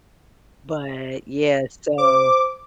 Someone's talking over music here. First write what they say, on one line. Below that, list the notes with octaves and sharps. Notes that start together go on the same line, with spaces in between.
But, yeah, so
C5 D6